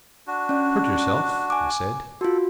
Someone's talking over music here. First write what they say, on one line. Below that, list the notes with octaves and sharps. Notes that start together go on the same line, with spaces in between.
"Hurt yourself?" I said.
D4 F#4
C#4 D5
G#5 D6
F4 F#4 A4